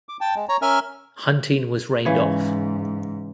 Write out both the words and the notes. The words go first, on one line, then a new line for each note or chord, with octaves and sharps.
Hunting was rained off.
D6
G5 A5
G#3
C#5 A#5
C#4 A#4 E5 G#5 F6
G#2 C#3 E3 C#5